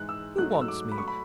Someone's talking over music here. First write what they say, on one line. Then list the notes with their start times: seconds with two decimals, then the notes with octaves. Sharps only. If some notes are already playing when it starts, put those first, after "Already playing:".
"Who wants me?"
Already playing: G#2 E3 G#3 F#6
0.09 E6
0.38 G#2 F#3 A3 F#6
0.61 E6
0.68 D6
0.92 B5
0.98 F#3 A3 C#6
1.08 B5